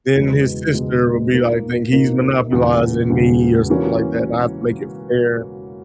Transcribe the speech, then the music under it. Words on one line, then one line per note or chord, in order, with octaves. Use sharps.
then his sister will be like think he's monopolizing me, or something like that, and I have to make it fair,
F#1 E2 B2 G#3
F#1 E2 B2 G#3
A#2 A#3 D#4 A#4
A#2 A#3 D#4 A#4
E1 E2 C#3
E1 E2 C#3
E3 A#3 C#4 F#4